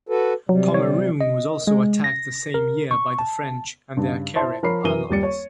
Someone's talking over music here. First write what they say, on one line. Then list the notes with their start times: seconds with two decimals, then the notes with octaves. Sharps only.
Pomeroon was also attacked the same year by the French and their Carib allies.
0.09 F#4 A4 B4
0.49 C3 F#3 G3
0.74 C#5
1.21 D#5
1.67 G#3
2.04 A#6
2.54 A#4
2.91 C#6
3.19 A5
3.96 G2 C#3
4.36 E4 C5 A5 C6
4.63 F3 A#4 C#5 B5 C7
4.84 F#2 E3 A#4 D#7 G7
5.10 D#1 G3 A6 C#7
5.23 C#5